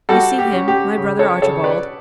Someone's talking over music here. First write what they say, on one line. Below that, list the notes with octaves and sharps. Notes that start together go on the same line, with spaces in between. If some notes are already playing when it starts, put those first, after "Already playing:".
"You see him--my brother Archibald?"
G3 F#4 A4
G4
C#4
G4
C#3
A4 C#5
C#3 A4 C#5
B4 D5